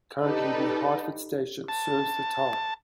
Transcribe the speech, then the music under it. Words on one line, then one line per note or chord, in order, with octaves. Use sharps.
Currently, the Hartford station serves the town.
D#4 G4 A4 B4 D5
A5